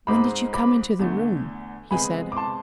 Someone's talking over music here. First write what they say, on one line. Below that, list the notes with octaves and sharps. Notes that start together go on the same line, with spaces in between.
"When did you come into the room?" he said.
G#2 G#3 C4 B5 D6
B5 D6
E2 D3 A3
C3 G#3 B3 G#5 B5
D6
A5 C6